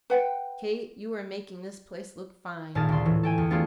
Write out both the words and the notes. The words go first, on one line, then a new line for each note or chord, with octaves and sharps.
Kate, you are making this place look fine.
B4 F#5 G5
G#1 A#2 G#4 A#4 A5
D2 C6
A2 E3
A4 G5 G#5
E2
A3 B3 D4 F4 G4 G#4